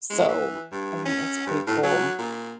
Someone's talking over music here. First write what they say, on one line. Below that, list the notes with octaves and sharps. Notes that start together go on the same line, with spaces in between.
so, I think that's pretty cool.
G#3
E3
G2
C#4
G2
A2
F#3
A#2